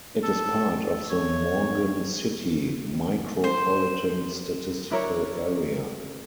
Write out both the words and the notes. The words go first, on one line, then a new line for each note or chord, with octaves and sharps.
It is part of the Morgan City Micropolitan Statistical Area.
A4
C#5
C5
D4 E4 A#4 C#5